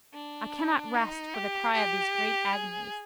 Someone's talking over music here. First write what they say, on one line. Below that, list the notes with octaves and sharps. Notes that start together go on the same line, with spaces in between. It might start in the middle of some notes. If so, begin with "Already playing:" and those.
I cannot rest for the cry of these great agonies.
D4
D#4
G4
G4
G#4